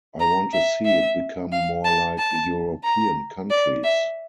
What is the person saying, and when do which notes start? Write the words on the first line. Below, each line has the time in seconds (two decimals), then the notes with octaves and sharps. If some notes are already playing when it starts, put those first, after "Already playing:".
I want to see it become more like European countries.
0.20 A#5
0.53 E5
0.85 E5
1.52 F5
1.85 A5
2.19 A5
2.84 A#5
3.50 D5
3.84 E5